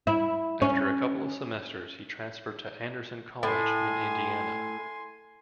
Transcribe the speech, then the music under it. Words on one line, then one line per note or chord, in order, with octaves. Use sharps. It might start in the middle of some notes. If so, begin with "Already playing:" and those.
After a couple of semesters he transferred to Anderson College in Indiana.
E4
C#4
A2 G#5 C6